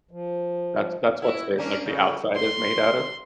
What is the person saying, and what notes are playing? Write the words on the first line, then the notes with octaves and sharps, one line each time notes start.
That's that's what's they like, the outside is made out of?
F3
E4 F#4
A#3 C#4 D4
F2 C#3
C6